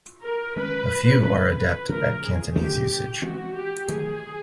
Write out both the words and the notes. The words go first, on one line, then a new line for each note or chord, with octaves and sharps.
A few are adept at Cantonese usage.
A#4
D#3 G#3 C#4 B4
C#3 E3 G#3 C#4 B4
B4
C#3 F3 A3 A#4
G#4
C#3 E3 A3 G4
E3 G#3 C4 F#4
G4
D#3 F#3 A3 G#4